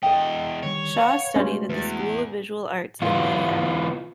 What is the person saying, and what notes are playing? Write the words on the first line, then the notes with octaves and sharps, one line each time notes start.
Shaw studied at the School of Visual Arts in Manhattan.
E2 A4 D#5 G5
D3 D#3 G3 C#5
B4 F5 F#5 B5
G#3 A3 C#4 F#4 G#4 B4 C6
E2 B4
E3 B3 F4